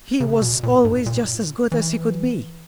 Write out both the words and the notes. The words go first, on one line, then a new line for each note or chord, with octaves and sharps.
"He was always just as good as he could be!"
C#3
B2
A#2
G#2
A#2
E3